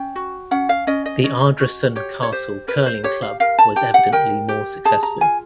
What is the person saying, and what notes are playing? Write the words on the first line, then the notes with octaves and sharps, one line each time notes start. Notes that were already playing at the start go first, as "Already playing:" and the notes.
The Ardrossan Castle Curling Club was evidently more successful.
Already playing: C#4 G5
F#4
C#4 F#5
F5
C#4 D#5
D#5
C#4 D#5
F#4
G4 C#5
C#5
G4 C5
A#4 B4
C5
G4 C#5
F5
A#4 F5
A5
G4 G5
F#5
A#4 G5
G4
G#4 A5
A#5
F4 G#5